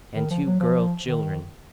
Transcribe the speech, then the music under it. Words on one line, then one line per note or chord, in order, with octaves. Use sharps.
And two girl children.
D#3
F3
F#3
F3
D#3